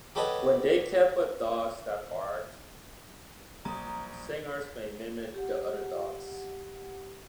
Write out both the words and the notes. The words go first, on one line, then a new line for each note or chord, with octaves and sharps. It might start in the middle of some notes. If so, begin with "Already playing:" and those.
When they are kept with dogs that bark, singers may mimic the other dogs.
G4 A4 B4 C#5 D#5 F#5
A#1 F#3 G3 C#4 A#5 D#6
G4 F#5